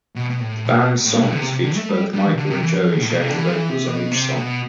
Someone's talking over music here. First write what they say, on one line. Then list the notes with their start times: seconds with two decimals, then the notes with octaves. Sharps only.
The band's songs feature both Michael and Joie sharing the vocals on each song.
0.15 B2
0.30 B2
0.40 A2
0.65 B2
1.05 A2
1.17 C3
1.23 B2
1.33 D3
1.39 C3
1.52 C3
1.64 D3
1.75 A3
1.89 G3
2.13 G3
2.26 E3
2.33 C3
2.38 D3
2.50 C3
2.62 E3
2.74 F3
3.01 A2
3.10 B2
3.19 C3
3.28 D3
3.37 E3
3.48 F3
3.53 E3
3.69 C3
3.87 B2
4.12 C3
4.36 B2